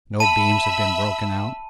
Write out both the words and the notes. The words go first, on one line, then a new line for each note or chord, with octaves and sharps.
No beams have been broken out.
E5 A5 B5 E6 D#7